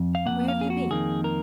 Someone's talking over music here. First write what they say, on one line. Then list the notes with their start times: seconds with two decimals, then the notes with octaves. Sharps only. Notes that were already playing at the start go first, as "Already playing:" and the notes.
Where have you been?'
Already playing: F2
0.15 F5
0.26 F2 D#3 A#3 F#5
0.48 F5
0.61 G#4
0.70 F#4
0.91 F2 D#3 A#3 G#4
1.24 A#4